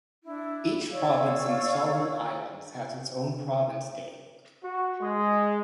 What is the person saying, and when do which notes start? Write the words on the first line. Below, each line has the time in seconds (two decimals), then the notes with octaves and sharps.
Each province in the Solomon Islands has its own Province Day.
0.24 D4 E4
0.90 C#5 D5 F5 E6
4.64 F#4
5.01 G#3